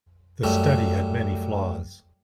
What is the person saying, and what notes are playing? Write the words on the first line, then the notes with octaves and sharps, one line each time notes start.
The study had many flaws.
F#2 G3 A3